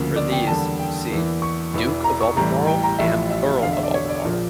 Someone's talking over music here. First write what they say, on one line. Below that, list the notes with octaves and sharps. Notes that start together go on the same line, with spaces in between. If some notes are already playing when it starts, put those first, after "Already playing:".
For these, see "Duke of Albemarle" and "Earl of Albemarle".
Already playing: D2 C#3 F3 A#3
D5
G5
E2 D3 G3 A#3 A5
G5
E2 E3 A#3
C#6
E1 E2 E3
A#5
C#6
A1 A2 E3 G3 A#5
G5
A#5
A1 A2 F3 E5
E5
E1 E2 D3 F5
E5
D5
C#5
D5
A#1 A#2 F3 A#3